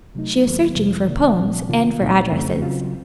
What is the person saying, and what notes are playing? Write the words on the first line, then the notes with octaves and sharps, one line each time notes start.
She was searching for poems and for addresses.
C3 F#3 A3 D#4
D#2 D#3 F#3 A#3
F2 C3 F3
C3 D#3 A#3
A#2 F3 C4
C3 D#3 A#3 F4
C2 A#2 A3 C4 D#4
F2 C#3 A3 C4
C#3 F#3 C4 F4